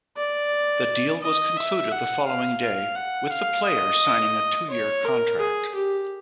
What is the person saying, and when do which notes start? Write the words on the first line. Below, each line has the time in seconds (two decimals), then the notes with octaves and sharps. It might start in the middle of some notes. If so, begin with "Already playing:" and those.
The deal was concluded the following day, with the player signing a two-year contract.
0.17 D5
1.22 D#5
1.57 E5
1.91 F#5
2.26 F5
2.62 F5
2.95 F#5
3.30 F5
3.66 D#5
4.70 C#5
5.05 A#4
5.40 G#4
5.75 G4